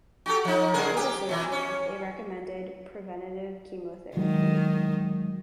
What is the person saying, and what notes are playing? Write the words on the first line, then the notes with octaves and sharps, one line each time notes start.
After the surgery, they recommended preventive chemotherapy.
F#4 G4 A4
F3 D#4
C#3 G#4 A#4
G4
B2 E3
C#4
D#3 F#3 G#3